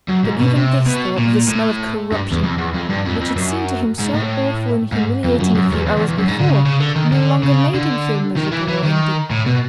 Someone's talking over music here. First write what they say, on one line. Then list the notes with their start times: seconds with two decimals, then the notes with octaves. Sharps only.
But even this thought of the smell of corruption, which had seemed to him so awful and humiliating a few hours before, no longer made him feel miserable or indignant.
0.08 F#2
0.24 G#2
0.40 B2
0.56 C3
0.86 B2
1.18 A#2
1.49 A2
2.12 G2
2.32 E2
2.43 F2
2.58 E2
2.74 F2
2.89 G2
3.06 F2
3.21 F2
3.36 F#2
4.00 G#2
4.14 A2
4.92 G#2
5.24 F2
5.40 F#2
5.55 F#2
5.72 E2
5.86 E2
5.97 E2
6.08 E2
6.18 F#2
6.28 G#2
6.39 D3
6.50 C#3
6.65 C#3
6.80 D3
6.96 D#3
7.12 D3
7.43 C#3
7.75 D3
8.36 D#3
8.52 E3
8.69 E3
8.84 D#3
9.31 A2
9.46 B2